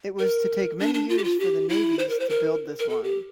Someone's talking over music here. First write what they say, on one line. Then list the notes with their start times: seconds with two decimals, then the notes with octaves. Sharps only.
It was to take many years for the navvies to build this line.
0.19 A#4
0.80 D4
0.94 D4
1.09 F4
1.18 G4
1.24 F4
1.40 G4
1.69 E4
1.99 C5
2.09 A#4
2.20 C5
2.29 A#4
2.79 A#4
2.89 A4
3.04 G4